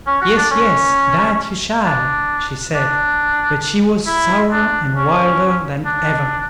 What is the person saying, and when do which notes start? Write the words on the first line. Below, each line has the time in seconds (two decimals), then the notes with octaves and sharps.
'Yes, yes, that you shall', she said; but she was sourer and wilder than ever.
0.07 C#4
0.21 F#4
0.37 D4
0.51 C#4
1.84 D4
2.74 D4
4.07 E4
4.52 D4
4.96 C#4
5.85 D4